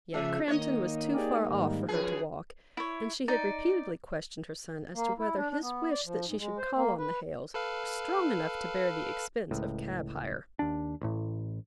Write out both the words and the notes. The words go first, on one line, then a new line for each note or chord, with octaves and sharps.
Yet Crampton was too far off for her to walk; and she had repeatedly questioned her son as to whether his wish that she should call on the Hales was strong enough to bear the expense of cab-hire.
C#3 F3 G#3 E5
D#3 A#3 D#4 C#5 D#5
G4 G#4 D5
G#2 D#3 G3
F#2 F3 G#4 B4 C#5
E4 C#5
D#4 D5
A#3
E4
D4
D4
B3
D5
F3
G#2
G#3
C5
A#3
B4
A4 B4 F5
C#2 A2
D#2 D4
A1 A2